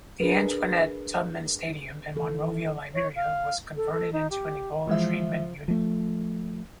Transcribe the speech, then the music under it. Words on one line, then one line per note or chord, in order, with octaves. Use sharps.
The Antoinette Tubman Stadium in Monrovia, Liberia was converted into an Ebola treatment unit.
D4 G#4 A#4 B4
D#3 E3 A4
C#5
F5
A4
A4
D#4
G4
E3 F3 G#3 E5
F3 A3